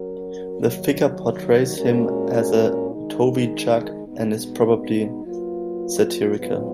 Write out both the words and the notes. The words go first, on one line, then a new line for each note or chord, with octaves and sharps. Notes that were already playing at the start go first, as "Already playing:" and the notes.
The figure portrays him as a toby jug and is probably satirical.
Already playing: F#3 C#4 F#4 A#4
D#2 D#3 F#3
A#2 G#3 C#4 F#4 A#4
D#3 G#3 D#4
B2 G#3 B3 D#4
F#3 A#3 F4 B4
G#2 F#3 B3 F4 B4